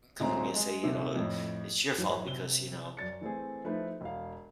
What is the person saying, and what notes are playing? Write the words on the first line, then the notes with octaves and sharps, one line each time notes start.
come to me and say, you know, "It's your fault, because," you know,
D#1 G#3 A3 C4 A#5
G#3
D#1 C3 D#3
F2 A2
F#2 A2 E3 F#3
C3 G7
F#2 D5 A6 C#7
E3 A3 C4 G#4
F3 A3 D#4 E4 B4 C5
E1 F5